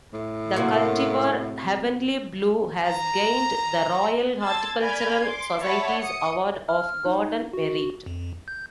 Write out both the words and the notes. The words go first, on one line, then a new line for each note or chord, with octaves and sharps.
The cultivar 'Heavenly Blue' has gained the Royal Horticultural Society's Award of Garden Merit.
A2
C3 A#3 F#4
A#5
A5 C6 E6 G#6 A6
D5 G#5 B5 F6 G6 G#6
C6 D6
C#5 D5 E5 F#5 A5 B5
D#6 C#7
F6
D#4
F#4
F2
G6